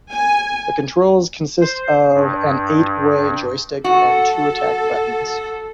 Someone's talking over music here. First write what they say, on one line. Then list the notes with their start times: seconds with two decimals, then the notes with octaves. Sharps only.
The controls consists of an eight way joystick and two attack buttons.
0.10 G#5
1.61 C5
2.13 G2
3.84 F#4 A4